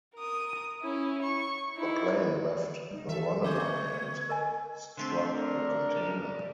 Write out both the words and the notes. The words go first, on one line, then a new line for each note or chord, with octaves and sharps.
The plane left the runway and struck a container.
A#4 D#6
C#4 E4
C#6
D#4 E4
G3 D#4
E3 A4 E5
D3 B3 C#6 G#6
A#4 D#5 G#5
D3 A3 C4 C5
D4 A#4
G3